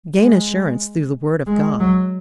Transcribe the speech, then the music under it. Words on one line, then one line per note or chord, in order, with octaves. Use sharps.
Gain assurance through the Word of God.
G#3
G#3
F#3